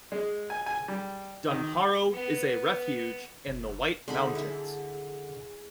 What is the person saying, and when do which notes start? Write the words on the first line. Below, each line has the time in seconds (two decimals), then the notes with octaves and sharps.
Dunharrow is a refuge in the White Mountains.
0.12 G#3
0.50 G#5
0.66 G#5
0.88 G3
1.50 D#3
2.12 B3
3.48 F#1
4.08 D3 G#3 D#4 G#4 B5
4.35 D3 E4